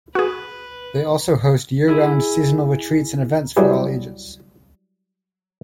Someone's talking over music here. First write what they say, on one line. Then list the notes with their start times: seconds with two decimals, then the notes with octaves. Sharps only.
They also host year round seasonal retreats and events for all ages.
0.15 F#4 G#4 B4
1.88 E4 G#4
3.56 F#3 G3 E4 G4 G#4 B4